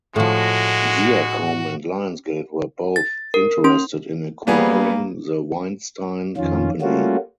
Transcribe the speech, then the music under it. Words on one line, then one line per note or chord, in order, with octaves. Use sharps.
Viacom and Lionsgate were both interested in acquiring The Weinstein Company.
A2 F3 G#3 F#4
A6
A#4
C#4 C6
G3 A#3 B3 G#4
F2 D#3 C#4 F4
G3 A3 A#3 C#4 F4 F#4